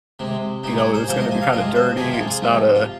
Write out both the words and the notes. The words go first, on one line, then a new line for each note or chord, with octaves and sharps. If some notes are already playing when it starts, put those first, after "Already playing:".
you know, it was gonna be, kinda, dirty. It's not a
C3 G#3
C3 G#3 D#4
G#4
C5
C3 F3 G#3 C5
D#5
G#5
F5
C3 F3 G#3 D#5
C5
C3 F3 G#3 G#4
F4
G#4
C3 F3 G#3
F4